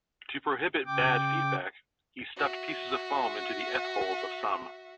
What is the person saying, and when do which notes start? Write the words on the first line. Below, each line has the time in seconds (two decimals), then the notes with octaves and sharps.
To prohibit "bad feedback", he stuffed pieces of foam into the F-holes of some.
0.86 C#3 G5 D6
2.37 F#4 E5